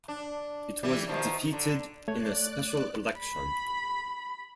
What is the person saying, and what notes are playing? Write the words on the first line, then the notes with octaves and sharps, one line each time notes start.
It was defeated in a special election.
D4
E3 G3
B2 D#3 F3
D3
A3 C#5 D5 F#6 G#6
B5